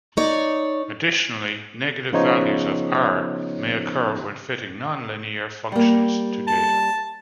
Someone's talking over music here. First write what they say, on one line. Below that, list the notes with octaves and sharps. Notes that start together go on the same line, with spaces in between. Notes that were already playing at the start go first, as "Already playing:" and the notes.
Additionally, negative values of "R" may occur when fitting non-linear functions to data.
D#4 C#5 D5
C#3 F3 B3 D#4 C5 C#5
G3 A#3
A5